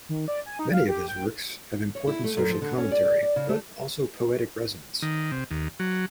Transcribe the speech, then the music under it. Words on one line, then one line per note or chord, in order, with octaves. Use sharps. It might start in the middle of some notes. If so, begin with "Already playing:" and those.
Many of his works have important social commentary but also poetic resonance.
D#3
D5
G#5
D#4
F5
G4
G5
C#5
E4
A3
F#2
F3
D3
C#4
D5
D5
D5
C#3
A3
D#3
C3
D#2
F#3